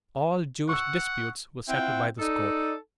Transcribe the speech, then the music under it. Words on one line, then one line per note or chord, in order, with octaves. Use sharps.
All Jewish disputes were settled by this court.
F#5 C#6 E6
C4 E4 F4 C5 F#5 G5
D#4 A4 D5